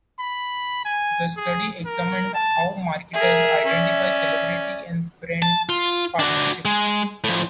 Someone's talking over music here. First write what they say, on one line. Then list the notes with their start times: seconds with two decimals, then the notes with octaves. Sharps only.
The study examined how marketers identify celebrity and brand partnerships.
0.19 B5
0.85 G#5
1.36 G#4
1.85 A#4
2.35 A5
3.13 G#4 A#4 E5
3.65 C#4 D5
5.42 A5
5.69 F4
6.19 D4 F#4
6.65 G#3
7.24 A2 F3